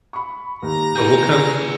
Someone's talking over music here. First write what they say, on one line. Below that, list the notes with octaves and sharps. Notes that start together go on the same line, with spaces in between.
and we'll come
B5 C#6
D#2 G4 A#5 A#6
G#4 B4 G6
E4